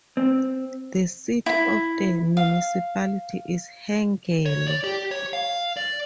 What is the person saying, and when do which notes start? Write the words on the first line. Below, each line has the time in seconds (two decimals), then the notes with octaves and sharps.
The seat of the municipality is Hengelo.
0.17 C4
1.46 E4
2.37 F5
4.46 C#5
4.68 D5
4.84 G4
5.11 C#5
5.33 F5
5.77 D5